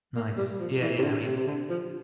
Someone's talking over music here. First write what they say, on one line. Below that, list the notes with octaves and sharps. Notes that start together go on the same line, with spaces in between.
Nice. Yeah, yeah, I mean,
A#3
G3
F3
E3
C3
D3
C3
C3
D3
F3